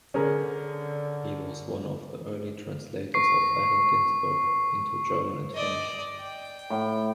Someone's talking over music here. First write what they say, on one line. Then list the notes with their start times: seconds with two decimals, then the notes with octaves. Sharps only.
He was one of the early translators of Allen Ginsberg into German and Finnish.
0.14 D3 C#4 G#4 A#4
3.14 C#6 C7
5.55 D5 D#5
6.20 G5
6.70 A2